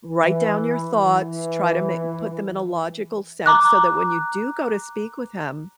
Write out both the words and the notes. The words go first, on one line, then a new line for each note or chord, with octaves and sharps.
Write down your thoughts, try to ma put them in a logical sense, so that when you do go to speak with him,
E3
E3
A#5 D6 F#6